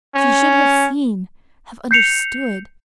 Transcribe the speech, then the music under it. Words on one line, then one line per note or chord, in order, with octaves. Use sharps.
She should have seen--have understood.
C#4
G6 C7 C#7 F7